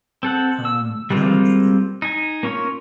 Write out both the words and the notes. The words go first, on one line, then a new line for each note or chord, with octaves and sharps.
um, you know, it's it
C4 A4 F#5
E6
G3 G#3 A#3 C4 F4
D#4 G#5
A#3 C#4 F4 A#4 C#5